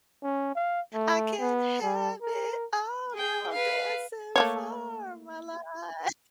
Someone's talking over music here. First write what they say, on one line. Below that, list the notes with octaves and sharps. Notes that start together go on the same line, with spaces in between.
I can't have it all, now I'm dancing for my life."
C#4
F5
A3
B3
G3
A#4
G#4 G5
B4 F5
A3 A#3 C#5